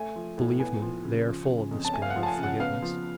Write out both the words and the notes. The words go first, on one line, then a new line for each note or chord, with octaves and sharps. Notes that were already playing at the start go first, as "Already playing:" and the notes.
Believe me, they are full of the spirit of forgiveness.
Already playing: A3 G#5
F3
A2
B3 G#5
F3
C#3
F3
C#3
F2
A5
A3 G#5
F5
F#5
F3
A5
G#5
C#3
F#5
B3 F5
F3